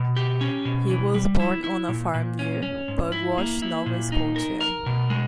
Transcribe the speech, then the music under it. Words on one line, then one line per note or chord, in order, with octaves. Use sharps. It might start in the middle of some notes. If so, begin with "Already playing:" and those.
He was born on a farm near Pugwash, Nova Scotia.
Already playing: B2
G4
C#4
B2
E3
G3
E4
E4
A#2
A#2
C#4
C#4
G#2
E4
A#3
E4
A#2
D#4
A#4
A#4
B2
G#3